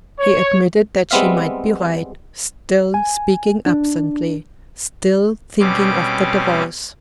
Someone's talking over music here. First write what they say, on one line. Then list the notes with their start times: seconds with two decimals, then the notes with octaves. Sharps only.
He admitted that she might be right; still speaking absently, still thinking of the Divorce.
0.19 C#5
1.11 G3 G#3 B3 C4 E5 F5
2.94 G#5
3.66 D4
5.60 B2 G3 C4 C#4 D6